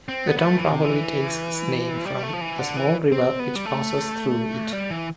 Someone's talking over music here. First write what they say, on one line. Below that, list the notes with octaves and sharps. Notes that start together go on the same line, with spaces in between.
The town probably takes its name from the small river which passes through it.
C4
B3
B3
A3
E3
C3
E3
G3
A3
F3
E3
D3
E3
C4
B3
G3
A3
G3
E3